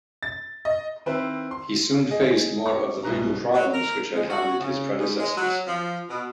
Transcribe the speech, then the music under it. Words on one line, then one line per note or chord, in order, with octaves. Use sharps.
He soon faced more of the legal problems which had hounded his predecessors.
A6
D#5
D#3 C4 E4 B4 C5
C6
G#4 D#5
C#6 D6
C2 G#2 B2 A#5
F#3
A#4
G#3
F#4
C#3
G#2
G#3
F#3
F3
B2